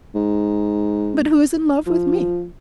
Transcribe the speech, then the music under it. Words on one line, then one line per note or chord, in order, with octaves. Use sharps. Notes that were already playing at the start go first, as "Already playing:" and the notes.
But who is in love with me?
G#2
F3